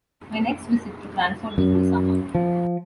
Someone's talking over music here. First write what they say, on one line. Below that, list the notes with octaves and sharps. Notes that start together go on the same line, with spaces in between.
My next visit to Cranford was in the summer.
F#2
F3